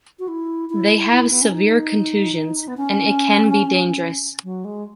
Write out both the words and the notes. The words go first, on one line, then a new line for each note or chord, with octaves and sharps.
They have severe contusions, and it can be dangerous.
F#4
E4
E4
E4
B3
C#4
D#4
B3
C#4
F#3
G#3